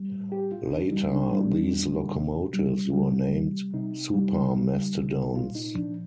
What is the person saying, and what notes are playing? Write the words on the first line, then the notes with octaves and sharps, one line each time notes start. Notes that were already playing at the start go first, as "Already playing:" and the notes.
Later, these locomotives were named Super Mastodon's.
Already playing: G3
A2
G4
A2 F4
D4
G3 D#4
D4
G3 D4
A2
C3
G3
G3
C3
C3 D#4
G3
G3
C3
A#2 F4
D#4
F3 D4